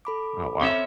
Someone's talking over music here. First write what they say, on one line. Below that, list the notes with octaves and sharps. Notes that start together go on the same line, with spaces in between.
Oh, wow.
A4 B5 D6
C4 C#4 E5